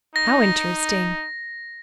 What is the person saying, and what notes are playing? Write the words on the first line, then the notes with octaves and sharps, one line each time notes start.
How interesting!
D#4 A#6